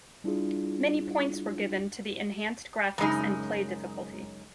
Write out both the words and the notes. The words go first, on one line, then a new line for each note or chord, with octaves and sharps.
Many points were given to the enhanced graphics and play difficulty.
G3 D4 E4 F4 G#4
F#2 C#3 G#3 D#4